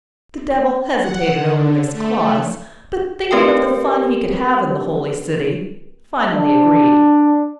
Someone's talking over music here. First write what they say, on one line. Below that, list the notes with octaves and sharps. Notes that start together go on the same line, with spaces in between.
The devil hesitated over this clause, but thinking of the fun he could have in the holy city, finally agreed.
F#5
D3
A3
A3 C4 G4 A#4 B4 G5
D4